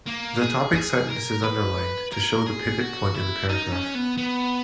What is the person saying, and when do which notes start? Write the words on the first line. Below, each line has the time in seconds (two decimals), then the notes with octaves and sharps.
The topic sentence is underlined, to show the pivot point in the paragraph.
0.07 A#3
0.41 G#4
0.75 G#4
1.10 A#4
1.44 B4
2.12 A#4
2.46 G#4
2.81 F#4
3.14 E4
3.49 D#4
3.72 C#4
3.95 B3
4.17 B3